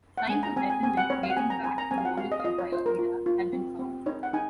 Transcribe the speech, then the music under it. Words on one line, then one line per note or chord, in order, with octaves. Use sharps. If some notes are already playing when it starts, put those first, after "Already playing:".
Signs of settlement dating back to the Roman Empire era have been found.
F#5
G#3 G#5
A#5
C4 G#5
G#5
C4 G#5
F#5
C4 C#5
F5
F#5
C4 G#5
A#5
C4 G#5
A#5
C4 G#5
F5
F#5
F#4 F5
D#5
F5
F4 D#5
C#5
F4 C5
A#4
F4
F4
C4
C4
D#4 C#5
F#5
D#4 G#5